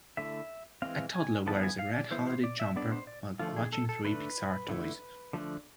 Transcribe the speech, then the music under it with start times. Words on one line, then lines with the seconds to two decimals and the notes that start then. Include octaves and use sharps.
A toddler wears a red holiday jumper while clutching three Pixar toys.
0.17 D3 A3 E4 E5
0.82 E3 G#3 C4 F5
1.14 G#5
1.47 D3 F3 B3 E4 A5
1.63 G#5
1.79 F5
1.95 D5
2.11 E3 G#3 B3 E4 C5
2.27 C5
2.44 D5
2.60 E5
2.76 G#3 B3 D4 D5
2.92 C5
3.07 D5
3.39 D3 F3 A3 F4
3.56 G#4
3.73 A4
3.89 A4
4.04 D3 A3 D4 B4
4.68 D3 A3 E4
5.33 D3 F3 A3 D4